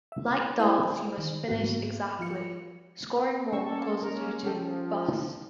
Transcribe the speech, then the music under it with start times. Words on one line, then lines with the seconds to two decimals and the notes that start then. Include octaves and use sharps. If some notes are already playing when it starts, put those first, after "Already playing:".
Like darts you must finish exactly - scoring more causes you to "bust".
0.12 E5
0.59 E4 C5 G#5
1.18 D#3
1.48 G#2 A#3 B3 F#4
2.19 F3 F4 C#7
3.53 A#3 C#4 A4 C#6 E6
4.03 G#3 A#3 C#4 A#4
4.43 F3 C#4 A4 G5